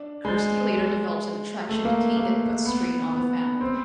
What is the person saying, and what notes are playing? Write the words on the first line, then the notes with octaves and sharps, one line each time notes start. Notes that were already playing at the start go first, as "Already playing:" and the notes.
Kirsty later develops an attraction to Kane that puts strain on the family.
Already playing: D4
G#3
A3
A#3
A#3
B3
B3
C4